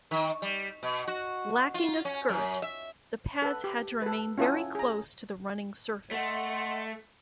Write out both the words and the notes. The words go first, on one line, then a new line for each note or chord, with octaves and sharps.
Lacking a skirt, the pads had to remain very close to the running surface.
D#3
G3
B2
F#4
F4
C#4
F#2
E5
A4 B4
G4
A4 B4
C#4 E4 F4 A4 F#5 D#6
G#4 A#5
A3 D#5 F#5 C6